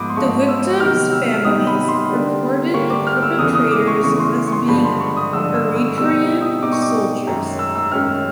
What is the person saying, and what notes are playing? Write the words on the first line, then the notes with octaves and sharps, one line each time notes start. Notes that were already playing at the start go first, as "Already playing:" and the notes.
The victims’ families reported the perpetrators as being Eritrean soldiers.
Already playing: G#2 F3 G#3 B3 B5 D6 D#6
C6
G#2 F3 G#3 B3 C#6
E6
C3 D#3 F#3 B3 D#4 F6
E6
C3 D#3 F#3 B3 D#4 D#6
B5
C6
D3 G3 A#3 D4
D3 G3 A#3 D4 C#6
D6
F6
E6
E2 C#3 E3 A3 D#6
D#6
D6
C#6
E2 C#3 E3 A3 C#6
C6
C#6
C6
G2 D3 F3 G#3 B5
C6
C#6
D#6
G2 D3 F3 G#3 E6
E6
E6
B2 G3 C4 D#4 E6
D#6
B2 G3 C4 D#4 D6
C#6
D6
F#2 D#3 G#3 C#4
E6
E6
F#2 D#3 G#3 C#4 F6